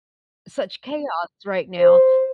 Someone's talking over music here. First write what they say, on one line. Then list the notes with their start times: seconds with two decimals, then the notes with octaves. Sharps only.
such chaos right now.
1.80 C5